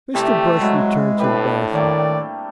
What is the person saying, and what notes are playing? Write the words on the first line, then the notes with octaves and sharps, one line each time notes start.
Mr. Brush returned to the bathroom.
C3 E3 G3 A3 G4
F#3 G#3 E4 F#4
A2 D4 G4 B4
D#3 G3 A3 A#3 D5